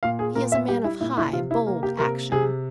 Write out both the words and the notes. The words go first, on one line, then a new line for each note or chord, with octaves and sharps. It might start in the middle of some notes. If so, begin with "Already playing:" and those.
He is a man of high, bold action.
A#2 F5
G#4
A#2 A#4
E5
G3 G4
E4
A#2 E4
E4
C3 F4
E4
A#3
G4
C3 A#4
C3 G#4